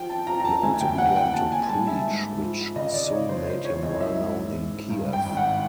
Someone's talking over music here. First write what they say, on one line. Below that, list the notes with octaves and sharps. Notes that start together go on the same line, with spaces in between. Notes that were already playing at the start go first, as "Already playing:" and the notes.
He also began to preach, which soon made him well known in Kiev.
Already playing: F3 G5
A5
F3 A#5
A#5
A5
D2 G#5
G5
F#3 F#5
G5
A#2 A5
G#5
G3 A5
E5
G#2
F3
C#3 D#5
D5
C#3 C#5
C5
F3 C5
C#5
C2 D#5
E5
G#2
G#2
G2
G5
G#1
F#5